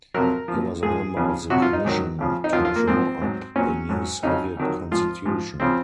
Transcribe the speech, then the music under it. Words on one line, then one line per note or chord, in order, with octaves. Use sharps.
He was a member of the commission to draw up a new Soviet constitution.
F2 C3 F#3 A#4
F3
A#2
G#2 F3 G#4
F2 C#3 F3
F2 C3 F#3 F#4
F4
D#4
G#2 D#3 F#3
F2 C#3 F3
D#4
F#2 F3 F4
F4
A#3
G#2 F3 C4
G#2 F#3
A#2 F#3 C#4
G#2 F#3
F2 C#3 F#3 D#4
F2 D#3 F#3
G#2 F3 F4
G#2 F3
C#3 F3 C4